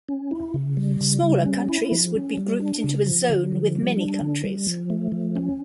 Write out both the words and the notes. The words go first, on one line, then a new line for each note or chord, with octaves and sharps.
Smaller countries would be grouped into a zone with many countries.
C#4
E4
C#3
G3
C#3
G3
C#4
E4
F3
C#4
G3
D4
C#3
F3
D3
F3
G3
D4
D3
G3
F3
A3
F3
C#4